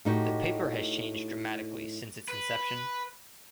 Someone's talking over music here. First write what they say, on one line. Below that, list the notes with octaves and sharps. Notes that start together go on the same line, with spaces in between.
The paper has changed dramatically since its inception.
A2 D#4 F#4 G4
B4